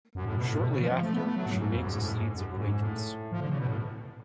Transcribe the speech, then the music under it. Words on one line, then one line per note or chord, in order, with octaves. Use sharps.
Shortly after, she makes Steed's acquaintance.
F#2
A2
B2
A2
B2
C#3
F3
F3
A3
B3
A3
F#3
A2
F#2
G#2
F2
F#2
G#2
A2
G#2
F#2
F#2
G#2
A2
F3
D3
C#3
B2
A2